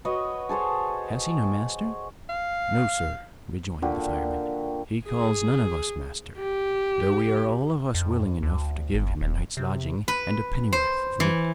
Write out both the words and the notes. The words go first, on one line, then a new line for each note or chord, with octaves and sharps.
Has he no master?' 'No, sir,' rejoined the fireman; 'he calls none of us master, though we are all of us willing enough to give him a night's lodging and a pennyworth of meat.
F#4 B4 C#5 D#5
G#4 A4 C5 C#5
F5
A#2 D3 F#4 G4
G#4
G4
F2
D2
G1
D#1
C3
B4
C5
E3